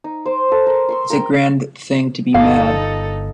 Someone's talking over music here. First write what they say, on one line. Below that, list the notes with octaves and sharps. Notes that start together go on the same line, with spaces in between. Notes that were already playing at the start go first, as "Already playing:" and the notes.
It’s a grand thing to be mad!
D#4
C5 D6
A4
A#4
C6 C#6 E6
A#4 G5
D1 G1 D#4 A4 F5